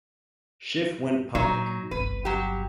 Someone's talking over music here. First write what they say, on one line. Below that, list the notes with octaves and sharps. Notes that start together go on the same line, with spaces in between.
Schiff went public.
A#2 F#3 D#4
G1 C2 B4
F#3 G4